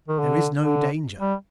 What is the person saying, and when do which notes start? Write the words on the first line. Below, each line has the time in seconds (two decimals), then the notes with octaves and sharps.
"There is no danger."
0.08 D#3
0.19 D3
0.59 D3
1.20 G3